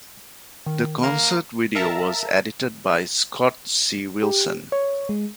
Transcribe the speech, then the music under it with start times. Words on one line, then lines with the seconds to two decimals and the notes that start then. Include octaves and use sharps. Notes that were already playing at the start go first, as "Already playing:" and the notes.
The concert video was edited by Scott C. Wilson.
0.66 D#3
1.03 A#3
1.75 A#4 E5 F5 A5 A#5
4.23 G4
4.72 C#5
5.09 G#3